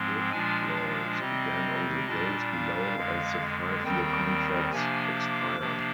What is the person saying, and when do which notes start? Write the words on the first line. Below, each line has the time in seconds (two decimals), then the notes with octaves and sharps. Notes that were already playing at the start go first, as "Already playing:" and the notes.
Withdrawals began on the dates below as the five-year contracts expired.
Already playing: G#2 F3 G#3 C4
0.32 A#2 F3 G#3 D4 G#5
0.76 F5
1.20 C3 G3 C4 D#5
2.07 A#2 G3 D4 D#5
2.51 F5
2.96 F2 D3 G#3
3.83 D#2 D#3 G3 C4 G5
4.72 C3 F3 A#3 D4 G#5
5.15 D6
5.59 C3 F3 A#3 D4